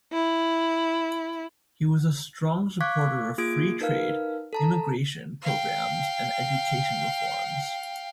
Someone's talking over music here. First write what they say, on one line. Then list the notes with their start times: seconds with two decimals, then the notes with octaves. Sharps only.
He was a strong supporter of free trade, immigration programmes and education reforms.
0.11 E4
2.81 F5 C#6 D6 F#6 G#6 B6
3.38 A#3 F4 G#4 D#6 G#6 D7
3.81 D#4 A#4 B4 F5 F6
4.53 A4 A5 A#5
5.42 F5 G5